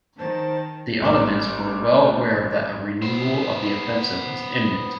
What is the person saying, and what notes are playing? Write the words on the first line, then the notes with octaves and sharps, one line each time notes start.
The Ottomans were well aware that a renewal of the offensive was imminent.
D#3 C5 A5
A1 G3 A#3 C#4 D6 E7
B3 C5